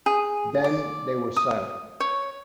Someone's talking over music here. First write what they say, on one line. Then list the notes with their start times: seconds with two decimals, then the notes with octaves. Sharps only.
Then they were silent.
0.06 G#4
0.64 D5
1.36 D#6
2.00 C#5